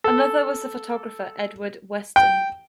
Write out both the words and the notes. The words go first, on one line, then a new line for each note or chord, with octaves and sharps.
Another was the photographer, Edward Weston.
A4
G5